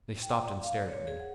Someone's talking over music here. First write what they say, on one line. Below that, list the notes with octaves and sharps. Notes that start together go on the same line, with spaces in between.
They stopped and stared at me.
G5
D5
F5
D5
C#5
G#4
F#5